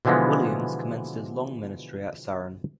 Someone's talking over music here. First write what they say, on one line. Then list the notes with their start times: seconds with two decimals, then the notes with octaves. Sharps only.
Williams commenced his long ministry at Saron.
0.05 B2 D3 E3 F3 G#3 B3